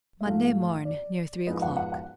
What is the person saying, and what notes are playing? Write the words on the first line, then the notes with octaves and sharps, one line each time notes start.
'Monday morn, near three o'clock.'
E5
G#2 F3 A3 F5
D5
G#2 F3 G#3 B3 D#5
F#5
F#5
F#5